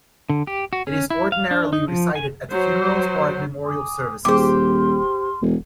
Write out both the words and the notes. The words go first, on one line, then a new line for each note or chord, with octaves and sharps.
It is ordinarily recited at funerals or at memorial services.
D3
G4
F#4
C#4
E4
F5
D4
D#4
F3
G#5
F#3 C5
G#5 D6 D#6
D#1 G4 G#4 C5 C6 D6 F6
E1